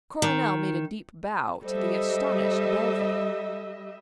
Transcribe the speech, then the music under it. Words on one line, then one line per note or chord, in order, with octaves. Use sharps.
Coronel made a deep bow to the astonished Belvane.
D#3
G3 A4 C5 D#5 E5